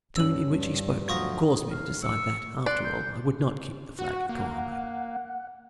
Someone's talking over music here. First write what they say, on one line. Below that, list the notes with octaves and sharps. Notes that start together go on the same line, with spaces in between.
The tone in which he spoke caused me to decide that, after all, I would not keep the flag of Coamo.
G2 C#4 E6 F#7
D2 F3 F#3 C#6 D#6 A#6
F5
C#6 E6
D5 C6 F#6
G6
F#4 F#5
A#3